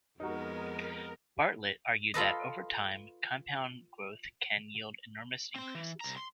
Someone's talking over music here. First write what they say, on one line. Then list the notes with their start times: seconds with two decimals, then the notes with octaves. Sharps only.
Bartlett argued that, over time, compound growth can yield enormous increases.
0.20 F2 G#3 B3 D#4 F#4 A#4
2.14 F4 A4 B4 D#5
5.55 C4 C6
5.75 E3
6.01 C2 A#5
6.17 C6